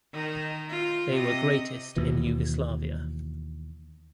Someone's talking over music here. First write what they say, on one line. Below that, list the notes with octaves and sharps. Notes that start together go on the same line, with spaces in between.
They were greatest in Yugoslavia.
D#3 D#4
F4
C3 D#5
D#2 B2 E3